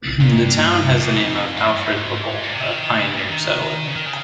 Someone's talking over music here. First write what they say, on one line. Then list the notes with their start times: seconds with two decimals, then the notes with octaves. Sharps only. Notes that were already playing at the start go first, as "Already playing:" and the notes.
The town has the name of Alfred Labolt, a pioneer settler.
0.21 A#2
0.31 G#2
0.42 G2
1.00 F2
1.57 G2
1.67 F2
1.75 G2
1.85 G#2
2.43 A#2
2.52 C3
2.62 C#3
2.71 D#3
3.00 C#3
3.15 G2
3.28 D#3
3.87 C#3
3.96 D#3
4.06 C#3